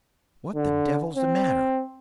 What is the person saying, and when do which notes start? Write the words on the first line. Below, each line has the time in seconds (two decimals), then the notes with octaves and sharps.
What the devil's the matter?
0.55 D3
1.16 C4